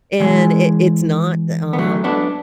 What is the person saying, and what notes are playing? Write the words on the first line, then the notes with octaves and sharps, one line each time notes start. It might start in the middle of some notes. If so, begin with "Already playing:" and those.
and it it's not, uh,
E3 G#3
B3
F#3 A3
B3 D4